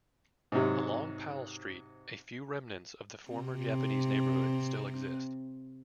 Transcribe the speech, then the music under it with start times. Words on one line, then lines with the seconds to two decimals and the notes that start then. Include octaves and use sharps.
Along Powell Street, a few remnants of the former Japanese neighbourhood still exist.
0.52 G#2 C3 F#3
3.32 C3 C4